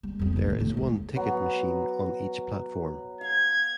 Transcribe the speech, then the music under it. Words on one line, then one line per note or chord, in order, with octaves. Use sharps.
There is one ticket machine on each platform.
G3
F2 G3
B2 F3
D#2 A2
A2
E2 G#2
F#3 B3
F5 G#6